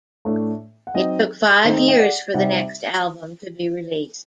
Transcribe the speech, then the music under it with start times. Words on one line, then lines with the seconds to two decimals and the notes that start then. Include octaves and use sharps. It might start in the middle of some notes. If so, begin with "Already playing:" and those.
It took five years for the next album to be released.
0.25 A2 A3 D4
0.87 F#5
0.94 F#3 C4 D#4 D#5 G5
1.64 D#3 A3 C4 D#4 C5 D#5
1.76 C5 D#5
1.88 D#5 G5
1.99 D5 F#5
2.34 C3 G3 C4 D#4 D5 F#5